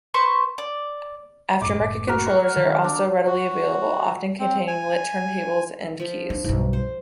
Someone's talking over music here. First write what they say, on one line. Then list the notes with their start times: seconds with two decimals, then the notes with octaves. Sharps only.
Aftermarket controllers are also readily available, often containing lit turntables and keys.
0.14 B4 C5 C#6
0.58 D5
1.61 D1 F#2 A2 D6
1.79 F#1 A2
2.08 F#4 A#4
2.27 F#4 C#6
2.57 D#3
2.84 D4
3.27 F#4
4.39 C4
4.67 G#5
6.00 F3 E5
6.30 D4
6.44 B1 G2
6.73 C5